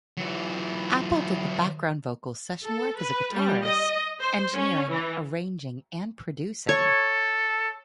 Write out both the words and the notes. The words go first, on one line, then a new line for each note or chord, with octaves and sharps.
Appell did background vocals, session work as a guitarist, engineering, arranging and producing.
E3 F#3
A4
B4
G3
D#5
C5
C#4
E3
A4 C#5